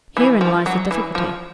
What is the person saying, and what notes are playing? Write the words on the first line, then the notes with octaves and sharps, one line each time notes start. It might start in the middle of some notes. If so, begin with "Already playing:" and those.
Herein lies the difficulty.
E3
F3
F#3
E3
F3